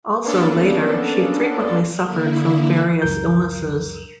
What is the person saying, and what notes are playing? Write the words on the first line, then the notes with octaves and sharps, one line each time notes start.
Also, later, she frequently suffered from various illnesses.
A#3 B3 C#4 D4 A4
D3 A#3 E4
C#2 F#2 A#4 G6